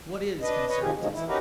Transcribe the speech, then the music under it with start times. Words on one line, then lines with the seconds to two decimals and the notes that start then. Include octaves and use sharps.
What is conservatism?
0.42 D4 B4 D#5
0.68 B4 C#5 D#5
0.80 C3 D#3 F3 G4 G#4
0.98 B2 D3 D#3 F3 F#3 G#3
1.13 E3 E4
1.27 C#4 D#4 F#4 G4 A#4 B4